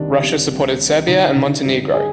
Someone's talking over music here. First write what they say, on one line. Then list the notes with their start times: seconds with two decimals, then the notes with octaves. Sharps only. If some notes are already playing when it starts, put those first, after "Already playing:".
Russia supported Serbia and Montenegro.
Already playing: C2 C3 D#3 D4
0.22 C2
0.51 C2
0.80 C3
1.07 D3 D#4
1.36 D3
1.65 G2
1.94 G#4